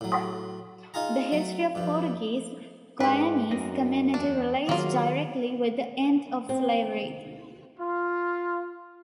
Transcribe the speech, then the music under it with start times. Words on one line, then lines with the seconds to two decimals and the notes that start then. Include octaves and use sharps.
The history of Portuguese Guyanese community relates directly with the end of slavery.
0.01 A2 F#3
0.94 D#4 F4 G#4 A#5
1.32 F#3 A3
1.75 G2 F3
3.00 G#2 D4 G4 B4
3.51 F#2 C4 D#4 A#4
4.14 E2 D4 A5
4.69 D#3 F#3 A#3 F4 G#4
6.49 C4
7.79 F4